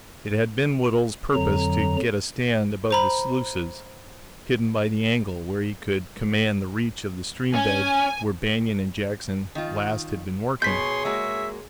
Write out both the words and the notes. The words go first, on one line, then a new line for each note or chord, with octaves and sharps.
It had been Woodhull's purpose to get a stand above the sluices, hidden by the angle, where he could command the reach of the stream bed where Banion and Jackson last had been working.
F2 D3 F#3 A#5
C5 A#5 B5
C#4 G#5
D#3 F4
B2 G#4 C#5 C6 G6 B6
G#3 A#3 F#4 E5